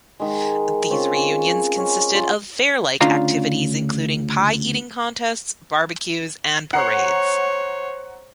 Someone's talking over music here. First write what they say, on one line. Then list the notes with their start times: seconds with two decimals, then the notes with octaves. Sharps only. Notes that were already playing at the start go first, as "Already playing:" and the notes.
These reunions consisted of fair like activities, including pie eating contests, barbecues, and parades.
0.20 D#3 G#3
0.90 C4 C#4 F4 C#5
1.16 G#4
1.78 C#4
2.15 F4 A#4
3.01 D2 C#3 D4 F4 F5 A#5
6.73 C5 C#5 F#5 A#5 C7